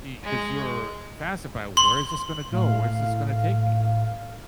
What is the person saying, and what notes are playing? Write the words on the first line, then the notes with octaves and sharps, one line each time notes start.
e 'cause you're fascinated by where is this gonna go, where is this gonna take me?
G#3
C6 F#7
A2 F5